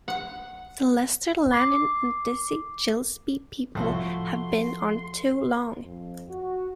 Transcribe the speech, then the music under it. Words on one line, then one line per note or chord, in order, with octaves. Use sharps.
The Lester Lanin and Dizzy Gillespie people have been on too long.
F#5
D6 C7
C2 A2 F3 A3 E4 F#4 C6
F2
F#4